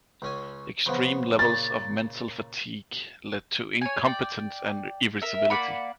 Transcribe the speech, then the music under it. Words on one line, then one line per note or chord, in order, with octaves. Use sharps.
Extreme levels of mental fatigue lead to incompetence and irritability.
C#2 C#4 G#5
C#3 F3 B3
A#2 C#3 D5 A6
C#5 G#5
D5 G5
A#4 E5
A#3 D5 F#5 B5